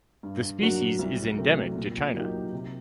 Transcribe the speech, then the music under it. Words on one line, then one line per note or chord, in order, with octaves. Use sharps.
The species is endemic to China.
G2
F#3 A#3 D4 F#4
C2
C3 F#3 A3
A#2
F#3 A#3 D#4 G4
C3